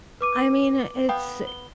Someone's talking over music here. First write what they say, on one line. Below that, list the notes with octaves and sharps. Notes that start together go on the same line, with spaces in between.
I mean, it's
B4 D6 D#7
B3 F5 G5
G7